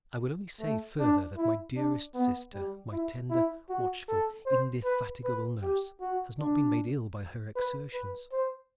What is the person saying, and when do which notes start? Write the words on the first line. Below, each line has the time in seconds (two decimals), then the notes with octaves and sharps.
'I will only say further that my dearest sister, my tender, watchful, indefatigable nurse, has not been made ill by her exertions.
0.60 A3
0.99 D4
1.37 E4
1.76 D4
2.15 B3
2.54 G3
2.92 E4
3.30 E4
3.69 F#4
4.08 A4
4.46 C5
4.85 B4
5.24 B4
5.62 G4
6.01 F#4
6.39 D4
7.56 B4
7.94 B4
8.32 C5